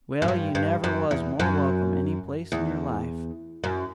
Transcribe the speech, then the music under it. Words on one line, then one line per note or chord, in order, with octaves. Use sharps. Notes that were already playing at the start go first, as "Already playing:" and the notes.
Well, you never was more welcome any place in your life.
F#2
G2
G2
F#2
E2
F#2
E2
F#2